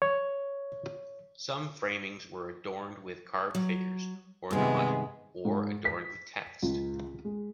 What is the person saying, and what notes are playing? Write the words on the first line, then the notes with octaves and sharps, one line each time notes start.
Some framings were adorned with carved figures or not, or adorned with text.
C#5
F#3
G2 C3 D#3 G#3 B3
G#2
B6
C#2
G#3